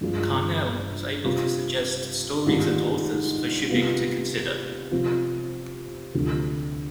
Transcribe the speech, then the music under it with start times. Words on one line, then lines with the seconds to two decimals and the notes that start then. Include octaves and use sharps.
Carnell was able to suggest stories and authors for Shubik to consider.
0.01 G2 F3 G#3 D4 F4
1.24 C3 G3 C4 F4
2.46 G#2 D#3 G3 D4 F4
3.69 C3 G3 B3 F4
4.91 C3 F3 C4 F4
6.14 D2 C3 F3